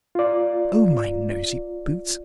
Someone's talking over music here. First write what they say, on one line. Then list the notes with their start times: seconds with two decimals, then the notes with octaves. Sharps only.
O my noisy boots!
0.15 F4 D5